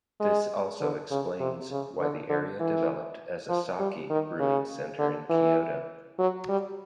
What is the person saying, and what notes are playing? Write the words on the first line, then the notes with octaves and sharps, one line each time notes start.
This also explains why the area developed as a sake-brewing center in Kyoto.
G#3
D3
C#3
C3
C#3
D3
D3
E3
F3
G3
D#3
C#3
D3
E3
F#3
G3